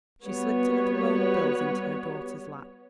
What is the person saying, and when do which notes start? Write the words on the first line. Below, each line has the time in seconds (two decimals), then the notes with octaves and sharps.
She slipped a little roll of bills into her daughter's lap.
0.25 G3 B3 F#4 C#5